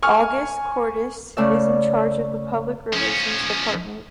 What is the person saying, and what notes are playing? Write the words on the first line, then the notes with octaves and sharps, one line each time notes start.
August Courtis is in charge of the Public Relations Department.
G#5 C#6 F6
C#3 A3 D5 E5
F3 C#4